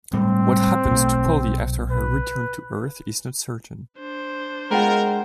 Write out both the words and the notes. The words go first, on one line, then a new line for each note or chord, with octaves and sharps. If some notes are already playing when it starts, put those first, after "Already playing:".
What happens to Polly after her return to Earth is not certain.
A2 G3 G#3 C4
B1 A3
B4
D4 C5
G#3 B3 F4 A#4 F#5 G5 A#5